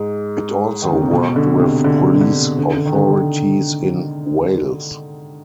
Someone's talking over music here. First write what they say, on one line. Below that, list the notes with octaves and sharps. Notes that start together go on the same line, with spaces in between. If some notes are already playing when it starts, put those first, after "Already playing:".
It also worked with police authorities in Wales.
Already playing: G#2
D#3
D3
C3
B2
D3
C3
D3
D3
D3
D3
D#3
D3
D#3